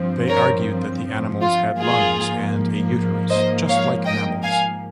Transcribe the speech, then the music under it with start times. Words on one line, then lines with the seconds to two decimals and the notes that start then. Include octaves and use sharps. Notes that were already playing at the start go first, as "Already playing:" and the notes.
They argued that the animals had lungs and a uterus, just like mammals.
Already playing: G2 F3 C4
0.28 A#4 C#5
1.41 F4
1.79 G#2 F3 A#3 F4 G#4
3.29 C5 D#5
3.68 C#5 F5
4.05 D#5 G5
4.43 F5 G#5